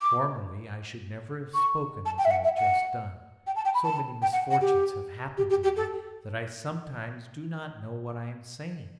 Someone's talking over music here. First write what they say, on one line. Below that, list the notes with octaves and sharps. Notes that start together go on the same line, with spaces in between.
Formerly I should never have spoken as I have just done; so many misfortunes have happened to me, that I sometimes do not know what I am saying.
D6
C#6
A5
G5
E5
F#5
E5
F#5
G5
A5
G5
B5
A5
G5
F#5
F#5
G4
G4
G4
G4
A4